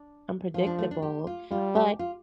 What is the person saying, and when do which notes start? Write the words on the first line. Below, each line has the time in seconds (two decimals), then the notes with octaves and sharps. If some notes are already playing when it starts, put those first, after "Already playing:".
unpredictable, but
Already playing: D4
0.54 F3 F4
0.66 D4
0.79 A3
0.91 D4
1.02 G4
1.27 F4
1.51 G3 F4
1.75 G4
1.99 F4